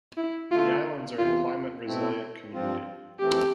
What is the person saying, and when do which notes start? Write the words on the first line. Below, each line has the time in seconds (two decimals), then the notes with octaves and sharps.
The islands are a Climate resilient community.
0.18 E4
0.51 D3 A3 E4 F4
1.19 E2 C3 E3 F4
1.86 B2 A3 C4 E4
2.53 G2 F3 C4 F4
3.20 F2 E3 A3 C4 G4